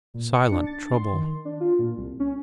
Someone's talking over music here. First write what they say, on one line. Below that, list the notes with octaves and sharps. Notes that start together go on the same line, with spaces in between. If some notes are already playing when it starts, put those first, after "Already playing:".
Silent trouble.
A#2
C#7
D4
A6
C6
D#3
D4
F4
A#2
C2
C#4